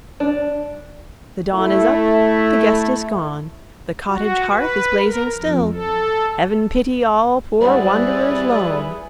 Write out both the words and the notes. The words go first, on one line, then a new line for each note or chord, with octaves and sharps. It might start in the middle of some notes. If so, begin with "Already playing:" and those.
The dawn is up--the guest is gone, The cottage hearth is blazing still; Heaven pity all poor wanderers lone!
D4
A3 E4
F#4
B4
A#4
F2
A4
G3 E4 G#4 B4 C5 D5 F#5